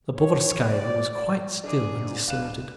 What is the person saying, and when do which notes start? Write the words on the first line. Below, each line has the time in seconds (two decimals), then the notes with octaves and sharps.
The Povarskaya was quite still and deserted.
0.21 C#5
0.73 D5
1.64 D#3 D4 G#4 D6
1.95 G#2
2.28 D1 B4 F5 F#6 E7